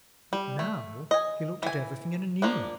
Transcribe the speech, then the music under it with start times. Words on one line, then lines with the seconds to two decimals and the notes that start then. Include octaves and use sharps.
But now he looked at everything in a new light.
0.33 G3
0.59 A3
1.11 D#5 G#5
1.63 E3 G#5
2.42 F3 A#3 D4